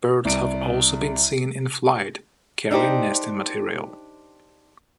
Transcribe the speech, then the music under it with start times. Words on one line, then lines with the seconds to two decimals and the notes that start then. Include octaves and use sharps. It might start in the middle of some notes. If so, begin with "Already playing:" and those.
Birds have also been seen in flight carrying nesting material.
0.25 C2 D5 D7
2.71 D4 D#4 G4 C5